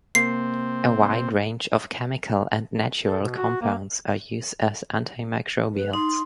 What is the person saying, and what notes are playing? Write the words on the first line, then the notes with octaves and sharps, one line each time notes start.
A wide range of chemical and natural compounds are used as antimicrobials.
C3 A#3 C4 C7
A4
B2
F#4
A#3
B4
D#4 C6